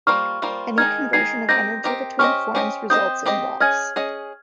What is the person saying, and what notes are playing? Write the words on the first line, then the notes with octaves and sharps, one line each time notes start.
Any conversion of energy between forms results in loss.
G3 A#3 F4 C5 C#6 F6
G3 A#3 F4 C5
D#3 G#3 D#4 F6 G#6
D#3 G#3 D#4 G#6 C7
C4 G4 A#4 D#5 G6 A#6
C4 G4 A#4 D#5
C#4 G4 C5 D#5 C#6 F6
C#4 G4 C5 D#5
C4 G4 C5 D#5 D#6 G6
C4 G4 C5 D#5
C#4 G#4 D#5 F6 G#6
C#4 G#4 D#5